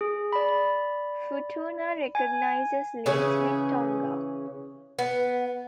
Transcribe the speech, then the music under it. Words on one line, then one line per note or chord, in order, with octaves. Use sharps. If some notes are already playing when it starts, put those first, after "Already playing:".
Futuna recognizes links with Tonga.
G#4
D5 B5
G#5
C#3 E3 C#4 G#4
B3